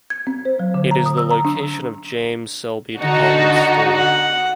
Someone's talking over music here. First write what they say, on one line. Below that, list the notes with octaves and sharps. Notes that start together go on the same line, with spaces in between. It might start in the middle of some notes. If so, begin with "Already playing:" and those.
It is the location of James Selby department store.
G#6
C4
C5
F#3
D3
A#5
D#6
E6
A#5
D4
D3 D#4 F#4
F#5